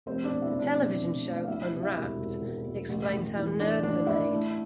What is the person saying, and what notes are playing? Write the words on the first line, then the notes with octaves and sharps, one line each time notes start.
The television show Unwrapped explains how Nerds are made.
F1 C4 C5
D4 D5
B2
E4 E5
F1
D4 D5
B2
F1
A3
F5
D2 E4 E5
C3
E4 E5
E1
E1
E1
E1
A1
A1
E3
E3 D4 D5
A1 D4 D5
A1 E4 E5
A3